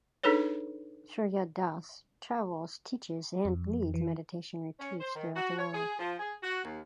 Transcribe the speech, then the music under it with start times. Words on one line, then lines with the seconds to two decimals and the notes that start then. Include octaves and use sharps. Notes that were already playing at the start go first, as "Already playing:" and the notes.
Surya Das travels, teaches and leads meditation retreats throughout the world.
0.23 D4 D#4 G#4 A4 B4 C#5
3.45 F2
3.94 E3
4.79 C#4
4.99 C5
5.15 D#3
5.35 F#4
5.59 C#5
5.74 G#4
5.98 F3
6.19 G#4
6.43 F#4
6.64 D#2